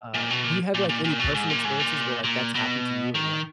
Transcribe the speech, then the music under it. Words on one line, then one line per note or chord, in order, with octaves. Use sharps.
uh, do you have, like, any personal experiences where, like, that's happened to you or no?
A#2
B2
A#2
A#2
A#2
A#2
B2
G#2
A#2
G#2
A#2
A#2
B2
D#3